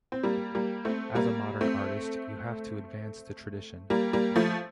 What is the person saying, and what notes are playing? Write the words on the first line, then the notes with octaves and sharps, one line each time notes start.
As a modern artist you have to advance the tradition.
C4
G3 A#3
G3 A#3
A3 C4
G3 A#3
A3 C4
G3 A#3
G3 A#3
F3 A3